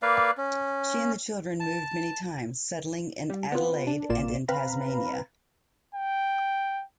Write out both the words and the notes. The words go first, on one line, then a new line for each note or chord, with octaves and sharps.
She and the children moved many times, settling in Adelaide and in Tasmania.
A#3 B4 D5 F5
C#4
A5
G3
B3 C4 F4 B4
D4
A1 A#2 A#3 F4 D5 E7
C4 B4 F5 A#5 B5
G5